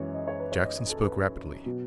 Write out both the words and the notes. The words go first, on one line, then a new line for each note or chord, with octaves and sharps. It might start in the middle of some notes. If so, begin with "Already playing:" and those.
Jackson spoke rapidly.
Already playing: F#2 E3 G#3 C#5
D#5
C#5
B4
C#5
D#5
D#5
A4
B4
B2 F#3